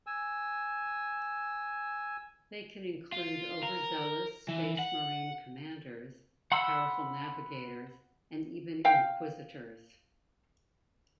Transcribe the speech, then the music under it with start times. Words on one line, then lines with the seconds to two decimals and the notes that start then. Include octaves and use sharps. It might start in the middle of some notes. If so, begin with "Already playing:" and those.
They can include overzealous Space Marine Commanders, powerful navigators and even Inquisitors.
0.07 G#5 E6
3.12 F4
3.63 A#4
4.48 E3
4.79 F#5
6.52 F#5 B5 C6 E6
8.85 F5 G5